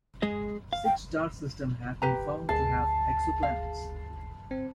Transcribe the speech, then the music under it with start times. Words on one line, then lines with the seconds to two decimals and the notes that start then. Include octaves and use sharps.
Six star systems have been found to have exoplanets.
0.22 G#3 G#4 D#5
0.73 F5
0.85 G5
2.02 G4 B4 A#5
2.49 D2 G#4 A5 C7
3.43 F5
4.51 C4